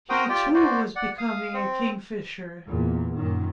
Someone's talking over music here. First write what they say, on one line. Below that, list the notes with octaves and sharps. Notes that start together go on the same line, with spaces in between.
He too was becoming a Kingfisher.
F#4 A#4 C5 G5 D#6
F4 G4 D5 G5
F#4 C5 D5
D5 F#5
F5 D#6
C4
E2 A#2
F#2 A#2 D#3